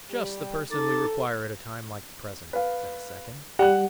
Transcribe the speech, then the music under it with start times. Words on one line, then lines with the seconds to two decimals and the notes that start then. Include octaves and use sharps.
"Just the person we require at a time like the present," said a second.
0.11 G3 G4
0.71 D#4 A4 D6 A6
2.53 B4 F5
3.59 G3 F#5 F#6